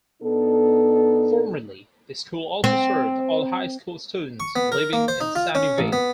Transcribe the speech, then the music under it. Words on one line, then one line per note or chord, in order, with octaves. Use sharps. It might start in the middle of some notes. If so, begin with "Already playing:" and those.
Formerly, the school also served all high school students living in Sunnyvale.
B2 B3 D4 D#4 A4
C4
C#6
B3
A#4
A#3
C5
D#4
F4
C#4
A1
B3